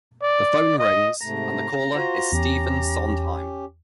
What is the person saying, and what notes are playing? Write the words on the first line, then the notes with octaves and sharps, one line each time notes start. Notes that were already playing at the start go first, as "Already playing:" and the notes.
The phone rings, and the caller is Stephen Sondheim.
D5
D#5
G#2 C3 A3 A#5
F4 F#4 C5
E2 C#4 G4